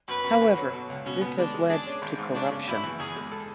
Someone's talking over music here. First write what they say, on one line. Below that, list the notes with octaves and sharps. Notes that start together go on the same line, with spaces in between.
However, this has led to corruption.
F#2 B4
F#2
D3
F#3
B2
C#2
B2 C#4
B3
G#3 D4
G#3
D4 G#4
C#4
G#1
G#2
C#3 D4
C#3
F#2 E4
E3
E2 G#4
G#3
A4